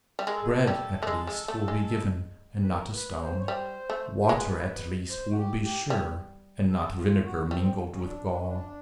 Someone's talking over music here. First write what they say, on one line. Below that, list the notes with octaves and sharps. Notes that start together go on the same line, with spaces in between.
Bread, at least, will be given, and not a stone; water, at least, will be sure, and not vinegar mingled with gall.
G3
G#3 A#4
A4
G#4
A4
G3
A3
G#3
G#3
A3
G#3
B4
A#4
B4
C5
C#5
G3 C5
A3
C5
G#3 B4
C5
F#4
G4
G4
G3
A4
F4
F#4
G3 C4
C#4
D4
D4
C#4
D4